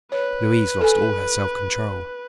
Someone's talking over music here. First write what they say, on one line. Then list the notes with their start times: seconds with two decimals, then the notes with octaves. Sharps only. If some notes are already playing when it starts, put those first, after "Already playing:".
Louise lost all her self-control.
0.12 B4 C#5
0.81 A4 G#5